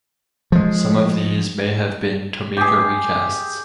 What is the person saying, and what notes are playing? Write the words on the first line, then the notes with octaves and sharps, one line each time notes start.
Some of these may have been Tomica recasts.
F3 G#3
G4 G#4